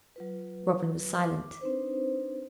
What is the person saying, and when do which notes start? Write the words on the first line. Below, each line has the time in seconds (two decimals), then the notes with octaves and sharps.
Robin was silent.
0.16 F#3 F4 B4
1.20 D6
1.61 C4 D4 D#4 B4 C5